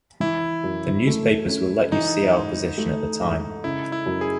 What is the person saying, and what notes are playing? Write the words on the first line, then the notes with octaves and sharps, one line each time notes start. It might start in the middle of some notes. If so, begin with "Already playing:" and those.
The newspapers will let you see our position at the time.
E3 E4
F#2
A3
C#4
E3 D#4
G#2
A3
G#2
C#3 E4
E4
F#2
G#4